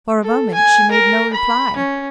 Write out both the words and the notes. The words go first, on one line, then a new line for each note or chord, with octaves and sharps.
For a moment she made no reply.
A4
G#5
A#4
B5
C#4